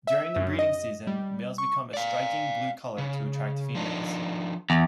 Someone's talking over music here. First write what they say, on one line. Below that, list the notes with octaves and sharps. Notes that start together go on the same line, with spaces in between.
During the breeding season, males become a striking blue colour to attract females.
E5
F#2
D#5
G3
C#6
D5 F5
C#3
F3 D4 D#4
E2